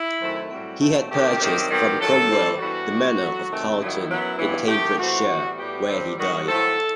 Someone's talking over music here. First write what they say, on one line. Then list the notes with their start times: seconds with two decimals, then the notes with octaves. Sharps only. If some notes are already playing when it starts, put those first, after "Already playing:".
He had purchased from Cromwell the manor of Carleton in Cambridgeshire, where he died.
Already playing: E4
0.21 F#2 D#3 A3 C4
0.50 A2 G3 C4 F#4
0.80 B2 A3 C4
1.10 C3 D#3 A3 C4 G4
1.40 G2 D#3 F#3 C4
1.70 D#3 F#3 B3 G4
1.99 G2 D#3 F#3 A4
2.30 A2 G3 C4
2.59 G2 E3 G3 B3 F#4
2.89 G2 E3 G3
3.19 G2 F#3 A3
3.48 C3 D#3 A3 C4
3.78 G2 D#3 F#3 E4
4.09 F#2 F#3 B3
4.39 G2 E3 B3
4.68 F#2 D#3 A3 G4
4.98 A2 E3 A3 C4 F#4
5.29 A2 E3 G3 B3
5.58 A2 G3 B3 G4
5.87 G2 D#3 G3 C4
6.17 G2 D#3 G3 F#4
6.47 A2 F#3 A3 C4 A4